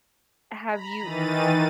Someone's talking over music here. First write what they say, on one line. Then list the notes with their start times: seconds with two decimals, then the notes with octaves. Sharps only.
have you
0.67 A#5 B5
1.02 D#3 E3 A6 D#7